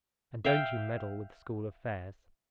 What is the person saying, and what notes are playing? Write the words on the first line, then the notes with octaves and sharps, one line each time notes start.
And don't you meddle with school affairs.
E5 F5 G5